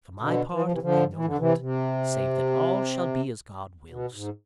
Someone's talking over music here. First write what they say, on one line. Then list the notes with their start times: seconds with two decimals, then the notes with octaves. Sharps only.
For my part, I know not, save that all shall be as God wills.
0.20 B2 D3
0.51 E3
0.62 F3
0.72 C3 E3
0.82 D3 F3
1.13 E3
1.25 D3
1.37 C3 E3
1.59 C3
3.90 B2
4.14 G#2